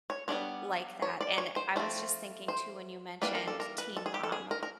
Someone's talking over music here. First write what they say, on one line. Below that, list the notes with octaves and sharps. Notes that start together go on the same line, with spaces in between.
like that, and I was just thinking too when you mentioned Teen Mom,
C#5
G3 B3 D4 C#5
C#5
D5
C#5
C5
F3 A3 C4
C5
E3 G3 A#3 D4 B4
A#4
A4
A#4
B4
A4
G#4
G4
A4
G#4
A#4
A#4